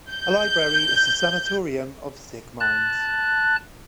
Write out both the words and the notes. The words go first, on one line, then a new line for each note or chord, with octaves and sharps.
A library is a sanatorium of sick minds.
G6
A5 F#6